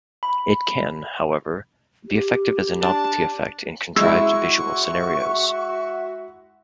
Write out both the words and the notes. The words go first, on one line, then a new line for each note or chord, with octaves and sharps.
It can, however, be effective as a novelty effect in contrived visual scenarios.
B5
G4
D4 A5
G#3 E4 F#4 E5 C#6 E6